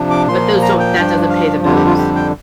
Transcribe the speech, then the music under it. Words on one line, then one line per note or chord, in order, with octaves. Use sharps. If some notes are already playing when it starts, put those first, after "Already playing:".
but those don't that doesn't pay the bills.
Already playing: C3 F3 D4
D6
A#2 F3 A#3 C6
A#5
G5
G2 F3 D4
F5
F2 D3 G3 D4 F4
G4
F4
G4
G5